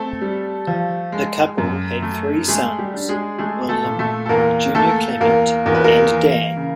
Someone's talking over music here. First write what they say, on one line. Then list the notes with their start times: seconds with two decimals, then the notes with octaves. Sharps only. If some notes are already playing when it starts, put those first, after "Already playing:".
The couple had three sons, William, Junior Clement and Dan.
Already playing: A3 C4 A4
0.21 G3
0.67 F3
1.12 G#3
1.58 F#2
2.02 A3
2.48 G#3 A3 G#4
2.79 G3 G4
2.94 D4
3.09 G#3 G#4
3.38 G#3 A3 G#4
3.69 A3 A4
3.84 A#2
3.99 A3 A4
4.26 A4
4.29 E2 A#3 A#4
4.74 A3 A#3 A4
5.20 E2 A#3 A#4
5.66 E2 A#4
5.75 B4
5.84 A#3 A#4
6.12 E3
6.57 C#3